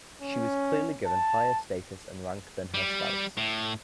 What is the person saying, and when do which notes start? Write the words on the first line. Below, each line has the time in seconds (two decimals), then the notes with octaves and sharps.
She was clearly given higher status and rank than her spouse.
0.21 C#4
1.06 A5
2.74 G3
3.37 A2